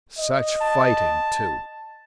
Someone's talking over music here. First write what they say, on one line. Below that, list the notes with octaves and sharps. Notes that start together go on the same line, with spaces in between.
Such fighting, too!...
D#5
A5